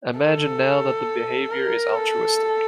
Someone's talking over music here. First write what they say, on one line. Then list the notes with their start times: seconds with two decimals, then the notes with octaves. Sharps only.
Imagine now that the behavior is altruistic.
0.19 A4
1.51 A#4
1.95 A4